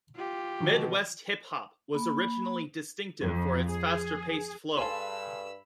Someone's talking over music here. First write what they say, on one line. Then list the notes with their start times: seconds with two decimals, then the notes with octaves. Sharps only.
Midwest Hip Hop was originally distinctive for its faster-paced flow.
0.15 F4 G4
0.61 B2 D3 D#3 F3
1.94 A#3 B5
3.23 F2
3.68 G#4
4.77 G2 G#4 A4 F5 G#5 B5 C6 E6